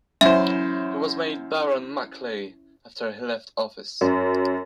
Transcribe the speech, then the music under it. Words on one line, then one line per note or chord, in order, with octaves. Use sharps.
He was made Baron Maclay after he left office.
F#2 C#4 E4 C5 E5
F#2